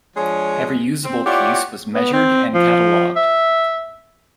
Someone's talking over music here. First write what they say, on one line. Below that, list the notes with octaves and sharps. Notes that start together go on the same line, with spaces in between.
Every usable piece was measured and catalogued.
F3 G#3 D4 G#4 C#5
C4
E4 F4 G4 C#5 D5 F#5
B3
C4
F3
E5